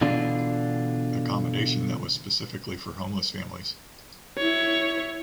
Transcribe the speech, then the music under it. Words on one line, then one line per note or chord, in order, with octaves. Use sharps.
Accommodation that was specifically for homeless families.
B2 D3 E3 D4 F4
E4 C#5